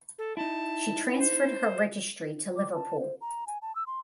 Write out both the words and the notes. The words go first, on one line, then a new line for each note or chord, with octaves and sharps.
She transferred her registry to Liverpool.
A4
D#4 E4 A5
C5
D6
A5
C5
A#5
G#5
A5
E6
C6